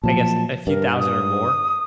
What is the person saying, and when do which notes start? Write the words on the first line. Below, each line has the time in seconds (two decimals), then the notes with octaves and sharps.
I guess, a few thousand or more?
0.04 A#2 F3 F#3 A5
0.67 G2 A#4
1.00 D#6